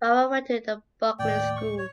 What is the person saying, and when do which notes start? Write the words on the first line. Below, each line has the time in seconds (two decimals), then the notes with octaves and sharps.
Farrar went to The Buckley School.
1.19 D#2 A2 D5 G5
1.56 D1 C#6
1.78 C#5